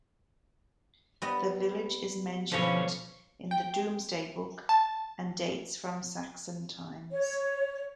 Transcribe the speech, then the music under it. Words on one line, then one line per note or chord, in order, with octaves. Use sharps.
The village is mentioned in the "Domesday Book" and dates from Saxon times.
G3 B3 D#5
B2 D3 F3 C#4 C#5
G5
A5
C#5